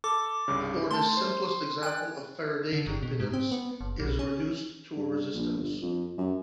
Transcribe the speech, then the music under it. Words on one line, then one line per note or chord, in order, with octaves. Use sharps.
For this simplest example the Faradaic impedance is reduced to a resistance.
A4 D6
C2 G2 C#3
A3 A5 C6
C5
D5 G5 G#5 F#6
D3
G1
B2
G#2
C4
B3
F#1
B1
C#4
G2
A#1
G1
F2
F#2